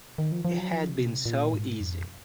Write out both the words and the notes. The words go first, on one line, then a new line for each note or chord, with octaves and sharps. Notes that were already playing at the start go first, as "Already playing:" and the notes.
He had been so easy.
D#3
F3
F3
F#3
F3
C#3
C3
A#2
G#2
F2